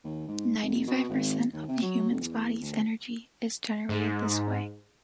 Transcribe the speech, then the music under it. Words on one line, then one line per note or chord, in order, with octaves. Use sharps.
Ninety-five percent of the human body's energy is generated this way.
D#2
G#2
F1
B2
G#1
D#2
C3
F#3
F1
E2
D2
G#2